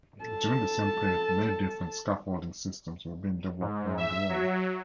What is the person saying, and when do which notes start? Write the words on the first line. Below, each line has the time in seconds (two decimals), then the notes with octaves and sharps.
During the same period many different scaffolding systems were being developed around the world.
0.25 A4 A5
3.61 G#2
3.97 E5
4.30 F#3